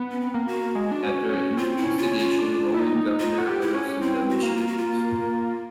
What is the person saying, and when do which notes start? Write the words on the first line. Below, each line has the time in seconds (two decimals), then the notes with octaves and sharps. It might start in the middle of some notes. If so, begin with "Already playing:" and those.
At their instigation, Roman Governor arrested the missionaries.
Already playing: B3
0.11 C#4
0.20 C4
0.34 A#3
0.47 F#4
0.75 G#3
0.91 D4
1.03 C#4
1.30 C#4
1.57 C4 F4
1.77 E4
1.84 C#4
1.98 F4
2.12 C#4
2.18 F4
2.38 D4
2.74 E4
2.79 D#4
3.20 D#4 F4
3.38 F#4
3.47 G4
3.61 E4
3.74 C#4
4.01 C4 E4
4.29 F#4
4.43 A#3
4.56 F4
4.67 F#4
4.78 F4